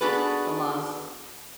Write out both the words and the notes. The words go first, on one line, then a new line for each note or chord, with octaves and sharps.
The loss.
B3 D4 F#4 G#4 A4 B4